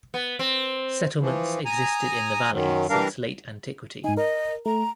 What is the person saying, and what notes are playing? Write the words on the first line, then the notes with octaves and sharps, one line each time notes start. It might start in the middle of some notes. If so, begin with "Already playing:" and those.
Settlements existed in the valley since Late Antiquity.
B3
C4
E3 F3
G#5 A#5 D#6
F#2 D#3 F#3
E3 G3 D4 A#4 F5
G#2 D#4 G#5
A#4 D#5
A3 A#5